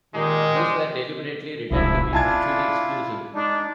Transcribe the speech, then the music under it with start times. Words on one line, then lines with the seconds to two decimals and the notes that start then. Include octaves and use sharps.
These were deliberately written to be mutually exclusive.
0.14 A#2 D#3 G#3 D#4 G4
0.55 G4 C5 D5
1.71 D1 C2 G#2 C3 F3 E4
2.13 E3 C4 D4 E4 F4 G#5 A5 G#6
3.34 G#3 D4 D#4